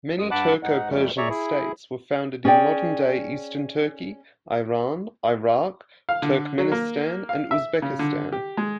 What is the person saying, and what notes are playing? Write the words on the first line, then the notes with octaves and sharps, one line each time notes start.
Many Turko-Persian states were founded in modern-day Eastern Turkey, Iran, Iraq, Turkmenistan and Uzbekistan.
F#2 G#3 D#6
G2 F#5 A5 B5 D6 F#6
G#2 D#4 F#5
F2 G3 A3
G#4 C#5 D5 E5 A#5 C#6
E4 G#4
C#4 G#4 D5 G5
F5
D3
F#3
A#3
F5
E5
C#3
D3
G4
G#3